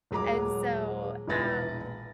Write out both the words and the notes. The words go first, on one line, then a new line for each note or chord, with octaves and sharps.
And so, um,
D#1 F#3 G#3 A#5 D6
E1 A#1 E4 B4 A6 A#6